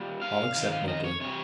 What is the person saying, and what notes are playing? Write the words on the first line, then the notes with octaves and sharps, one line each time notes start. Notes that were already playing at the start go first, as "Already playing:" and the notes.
All except Mowgli.
Already playing: A#2 G3
F5
F2 D#3 F5
F5
D#5
C#5
C3 G3 C#5